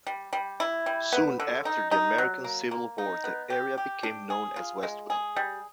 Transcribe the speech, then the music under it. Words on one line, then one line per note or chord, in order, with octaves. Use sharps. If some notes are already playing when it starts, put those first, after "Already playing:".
Soon after the American Civil War, the area became known as Westville.
G3
G3
E4
G3
B3
D3
D#4
D#4
F#3
A#3
A#3
D#4
B3
G4
G4
D4
G#4
F4
G#3
G#4
G3